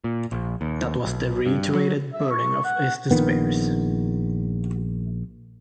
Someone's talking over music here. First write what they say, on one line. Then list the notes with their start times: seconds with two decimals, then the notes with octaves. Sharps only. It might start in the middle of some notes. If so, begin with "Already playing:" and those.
That was the reiterated burden of his despair.
0.04 A#2
0.32 A#1
0.61 D#2
1.06 B1
1.46 G2
1.75 F#3
2.13 E5
2.30 C#6
2.64 F#5
3.11 A#1 D#3 B3